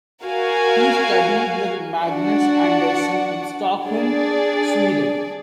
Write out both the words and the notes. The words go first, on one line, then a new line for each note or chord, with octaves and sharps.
He studied with Magnus Andersson in Stockholm, Sweden.
F#4 A#4 F5 G#5
D4 F#4 D5 F#5
D4 G#4 D5